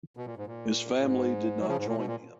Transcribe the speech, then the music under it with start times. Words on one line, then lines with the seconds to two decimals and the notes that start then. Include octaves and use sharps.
His family did not join him.
0.17 B2
0.26 A#2
0.37 G#2
0.47 A#2
0.99 A#2
1.06 G#2
1.60 F#3
1.68 C#3 F3
1.78 G#2
1.87 A#2
1.97 B2
2.07 A#2